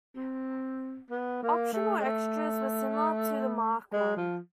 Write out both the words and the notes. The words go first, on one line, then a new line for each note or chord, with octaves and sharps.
Optional extras were similar to the Mark One.
C4
B3
A#3
A3
G#3
A3
G#3
F3